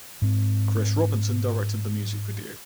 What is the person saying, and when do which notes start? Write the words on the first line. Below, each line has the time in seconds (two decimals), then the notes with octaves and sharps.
Chris Robinson directed the music video.
0.22 G#2 C4